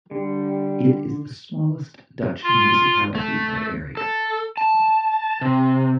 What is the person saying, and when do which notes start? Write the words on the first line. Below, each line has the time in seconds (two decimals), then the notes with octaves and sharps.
It is the smallest Dutch municipality by area.
0.11 D3 G3
2.44 F4
3.15 A3
3.97 A4
4.57 A5
5.41 C3